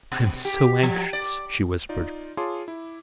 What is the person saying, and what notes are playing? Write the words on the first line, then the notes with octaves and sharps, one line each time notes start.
"I am so anxious," she whispered.
B2
G4
F3
D5
D#4 F4 D5
F4 G#4 C#5 A5 C6 D6
E4